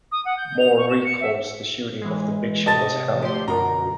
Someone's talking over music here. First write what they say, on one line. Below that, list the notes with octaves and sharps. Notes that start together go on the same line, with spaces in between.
More recalls the shooting of the picture was hell.
D#6
F#5
G6
F7
C#6
E7
C#7
E5
E3 G#3
C3 D#5 A5 A6
D2 F3 G4 C5 C6
F#2 B2 D3 F4 F#4 A#4 A#5